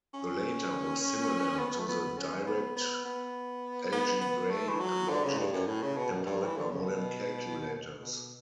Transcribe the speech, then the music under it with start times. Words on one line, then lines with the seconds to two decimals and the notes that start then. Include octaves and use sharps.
The later was similar to the Direct algebraic logic employed by modern calculators.
0.14 C#4
1.59 B3
1.79 A3
1.88 B3
2.18 C#4
2.46 B3
2.76 B3
3.05 B3
3.92 B3
4.21 B3
4.50 A3
4.69 E3
4.80 F#3
5.09 D3
5.24 C#3
5.38 G2
5.53 F#2
5.67 A2
5.83 C#3
5.97 B2
6.11 F#2
6.26 G2
6.45 E3
6.57 D3
6.71 C#3
6.84 B2
8.01 B2